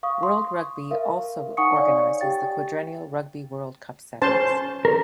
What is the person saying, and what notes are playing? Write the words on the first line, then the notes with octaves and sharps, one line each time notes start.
World Rugby also organises the quadrennial Rugby World Cup Sevens.
F5 C#6 D#6
C6 C#6 D#6
A#4 E5 F5
D#4 F#5 G#5 C#6 D#6 C#7
C#5 D5 F5 G#5
G4 G5 A6
C#4 C5 A5
A#4